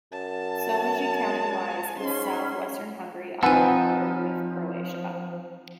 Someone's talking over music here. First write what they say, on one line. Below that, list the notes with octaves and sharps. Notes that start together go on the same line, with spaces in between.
Somogy county lies in south-western Hungary, on the border with Croatia.
F#2 A5
G#2 C#4 C6
F3 C4 D#4 B4 F#5 G#5 A5 E6